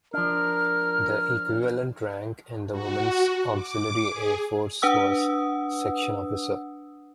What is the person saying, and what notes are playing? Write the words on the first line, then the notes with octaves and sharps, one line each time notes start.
The equivalent rank in the Women's Auxiliary Air Force was "section officer".
F3 D4 A#4 F6
F#4
D6
G#4
D4 B4 F#5 D#6 E6